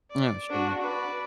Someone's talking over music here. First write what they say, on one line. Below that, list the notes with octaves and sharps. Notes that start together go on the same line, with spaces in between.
Oh, sure.
D5
D4 F#4
B4 D5